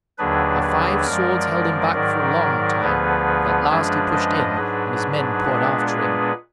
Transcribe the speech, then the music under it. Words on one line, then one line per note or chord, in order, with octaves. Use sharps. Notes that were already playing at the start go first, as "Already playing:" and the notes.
Our five swords held him back for a long time, but at last he pushed in, and his men poured after him.
D#2 D3 F#3 D4 G#4 B4
G#4 B4
F#2 F3 G#3 A#4 D5
G#2 D#3 F#3 A#4 D5
D2 D3 F3 B3 G#4 B4
F#2 F3 G#3 D4 G#4 B4
B4 D#5
G#2 F#3 D4 G#4 B4
A#2 G#3 B3 D4
G#4 B4